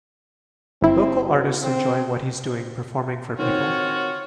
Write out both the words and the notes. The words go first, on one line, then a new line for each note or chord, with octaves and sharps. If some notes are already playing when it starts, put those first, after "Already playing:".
Local artist enjoying what he 's doing performing for people.
G1 C4 E4
B2
C4
D#3 C4 F4 F#4 C#5